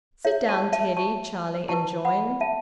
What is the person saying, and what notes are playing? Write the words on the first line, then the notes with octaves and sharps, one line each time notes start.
"Sit down, Teddy," Charlie enjoined.
E4 C#5 E5
A5 C#6
E5 A5
A5 C#6
E4 B4 A5 C#6
F#5 B5
E5 A5